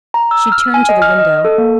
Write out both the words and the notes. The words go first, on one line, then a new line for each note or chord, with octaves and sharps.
She turned to the window.
A#5
E6
F6
G#5
D#5
F6
D#5
A4
A#3